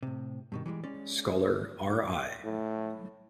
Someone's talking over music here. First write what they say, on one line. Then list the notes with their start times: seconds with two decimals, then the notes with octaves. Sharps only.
Scholar R. I.
0.02 A2 C3
0.52 G2 B2 D#3
0.66 E3 F3 G3 G#3
0.83 G#3 C#4 D5
2.44 A2